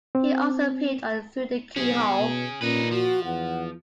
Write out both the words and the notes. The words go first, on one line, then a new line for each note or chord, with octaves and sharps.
He also appeared on "Through the Keyhole".
C4
B1 B3 C#4 G#4
B2
A#2 C#4 D#4 B4
F3 F#4
E2 F#5